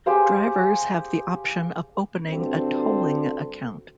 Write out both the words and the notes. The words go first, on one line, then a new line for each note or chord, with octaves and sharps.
Drivers have the option of opening a tolling account.
G4 G#4 C5 F5
G2 D3 C4 F#4 A4